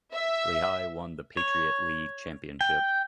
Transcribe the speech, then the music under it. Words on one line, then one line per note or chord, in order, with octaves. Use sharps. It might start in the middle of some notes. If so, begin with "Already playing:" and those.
Lehigh won the Patriot League championship.
E5
C#5
G5